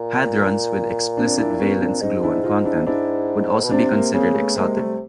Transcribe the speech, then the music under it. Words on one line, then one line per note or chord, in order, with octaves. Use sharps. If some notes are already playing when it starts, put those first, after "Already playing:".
Hadrons with explicit valence gluon content would also be considered exotic.
Already playing: A#2
C4 D4
D4 E4
B3 C#4
C4 D4
G#2 C#4 D#4
D4 E4
D#4 F4
D4 E4
G#2 D4 E4
B2
C3 C4 D4
A#3 C4
C#3 A#3 C4
A3 B3
C3 G#3 A#3
G3 A3